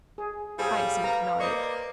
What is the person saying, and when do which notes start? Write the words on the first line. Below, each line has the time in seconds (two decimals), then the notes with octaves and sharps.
Hyacinth nodded.
0.18 G#4
0.59 A2 G3 G#4 A4 C5 F5
1.04 B4 A#5
1.40 A#3 C5 D5 D#5 C#6